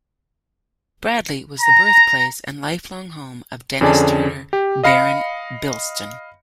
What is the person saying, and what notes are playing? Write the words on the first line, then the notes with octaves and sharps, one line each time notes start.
Bradley was the birthplace and lifelong home of Dennis Turner, Baron Bilston.
A#5
F2 D3 C#4 G#4 D5 A5
G4
D#5 F5 B5 A#6 C#7